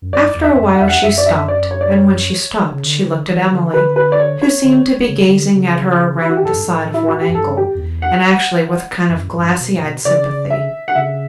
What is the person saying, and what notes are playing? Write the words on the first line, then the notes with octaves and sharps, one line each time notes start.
After a while she stopped, and when she stopped she looked at Emily, who seemed to be gazing at her around the side of one ankle, and actually with a kind of glassy-eyed sympathy.
F#2
G2 D5
E2
E5
E2
F#2
F#5
E2 E5
F#5
F#2 E5
D5
E5
D5
C#5
D5
C#5
C#3
D3
D3
E3
D3
D3 B4
B4
D5
C#5
C#5
D3
C#3
C#3
D3
C#3
E4
F#4
G4
A2 A4
G2
A2
E4
F#4
G4
F#2
G2 A4
G4
F#2
E2
F#5
G2
F#2
A2
G2
B2
A2
B2
C#3 D5
E5
F#5
C#3 E5